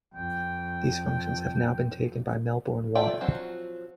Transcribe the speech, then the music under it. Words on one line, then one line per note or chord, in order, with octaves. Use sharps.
These functions have now been taken by Melbourne Water.
F2 G5
F4 A4 D5 E5 G5
F3 F#3 C4 F4 F#4